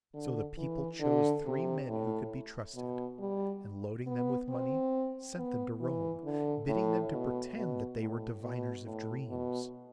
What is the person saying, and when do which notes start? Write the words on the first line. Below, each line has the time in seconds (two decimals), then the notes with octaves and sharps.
So the people chose three men who could be trusted, and, loading them with money, sent them to Rome, bidding them to pretend that they were diviners of dreams.
0.14 D3
0.57 E3
1.01 D3
1.45 C3
1.88 A2
2.75 B2
3.19 G3
4.07 B3
4.50 C4
5.37 B3
5.80 E3
6.24 D3
6.68 A2
7.12 B2
7.55 B2
7.99 A2
8.42 B2
8.85 A2
9.29 B2